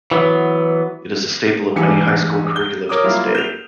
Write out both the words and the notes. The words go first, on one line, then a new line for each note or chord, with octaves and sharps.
It is a staple of many high-school curricula to this day.
E3 F#3 B3
E2 G2 E3 G4 G#5 C#7
G6 G7
A#4 C#5 D6 D#6
F#3 G3 A#3 E4 F4
G6 E7 F7